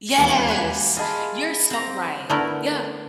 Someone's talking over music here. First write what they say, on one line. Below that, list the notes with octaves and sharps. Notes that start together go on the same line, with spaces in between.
Yes! You're so right. Yeah.
E1 D#2 E3 A#3 B3
G4 F#5 G#5
F4 G#4 D#5 A5 B5
C4 A#5
D3 A3 B3 E4 A#4